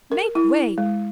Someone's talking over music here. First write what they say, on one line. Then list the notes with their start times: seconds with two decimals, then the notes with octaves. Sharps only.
Make way!
0.12 A#4
0.35 E4
0.78 G#3